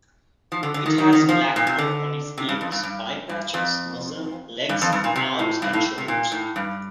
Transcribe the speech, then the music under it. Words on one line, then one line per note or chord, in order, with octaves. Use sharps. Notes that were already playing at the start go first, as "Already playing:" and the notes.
It has black fur on its ears, eye patches, muzzle, legs, arms and shoulders.
F3
D3
D3
D#3
D#3
D#3
F3
A#2
C3
D3
C3
G2
F2
G2
G2
G2
F2
G2
F2
G2
A#2
C3
A2
G2
A2
C3
A#2
A2
G2